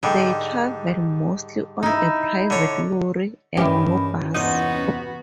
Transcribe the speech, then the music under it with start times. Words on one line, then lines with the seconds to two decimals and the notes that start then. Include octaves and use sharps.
They travel mostly on a private lorry and no bus.
0.03 G#2 D3 G3
1.83 D#4 E4
2.50 D3 C#5
3.57 G2 D#3 E3 C#4 E4 G4
4.35 E2 C3 B3 D#4 F#4